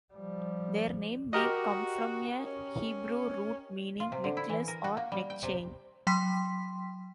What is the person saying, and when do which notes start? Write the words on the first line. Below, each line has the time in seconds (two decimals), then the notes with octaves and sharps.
Their name may come from a Hebrew root meaning "necklace" or "neck-chain".
0.13 F3 G3
1.33 F#4 G4 A#4 D#5
2.45 C#4
4.00 F4
4.12 C3
4.24 D3
4.37 E4
4.49 E3
4.68 A#4
4.84 F#4
4.97 A#3
5.12 G3
5.30 G5
5.43 C3
6.07 F#3 G5 C6 B6